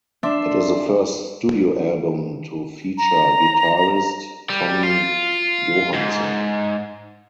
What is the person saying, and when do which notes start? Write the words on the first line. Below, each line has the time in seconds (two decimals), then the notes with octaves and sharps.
It is the first studio album to feature guitarist Tommy Johansson.
0.23 D4 E5 C6
2.98 A#5
4.50 G3
4.83 F4
5.94 G#2